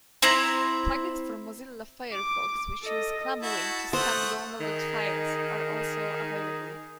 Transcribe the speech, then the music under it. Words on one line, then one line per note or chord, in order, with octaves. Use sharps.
Plugins for Mozilla Firefox which use ClamWin to scan downloaded files are also available.
C4 E4 A#5
D6
A4 D#5
E4 F#4 A5
A3 C5 F#5 D#6
D#3 D#4 G#4